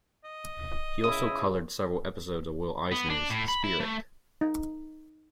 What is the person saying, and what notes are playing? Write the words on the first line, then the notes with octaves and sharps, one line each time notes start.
He also colored several episodes of Will Eisner's "Spirit".
D#5
C#3 E4 D#6
B3
D4
A2
B5
E4
A3
D#4